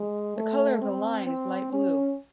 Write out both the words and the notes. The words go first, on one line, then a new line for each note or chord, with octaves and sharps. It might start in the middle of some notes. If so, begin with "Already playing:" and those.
The color of the line is light blue.
Already playing: G#3
A3
C4
C4
C#4